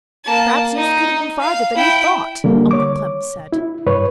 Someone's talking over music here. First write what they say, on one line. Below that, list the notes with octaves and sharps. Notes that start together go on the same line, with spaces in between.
"Perhaps you scooted them farther than you thought!" Uncle Clem said.
A#3 A5
D#4
F5
E4 G5
D3 G3 A#3
C#5 D6
E4
G2 B4 C#5